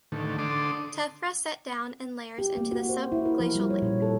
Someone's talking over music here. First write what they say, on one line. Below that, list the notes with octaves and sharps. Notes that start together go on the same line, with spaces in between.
Tephra set down in layers into the subglacial lake.
A2 D3 D#3 A3
D3 D4 A4 C6 D6 D#6
G4
A#3
F#4
C5
E4
A#4
F3
G3
C#5
A#2
A4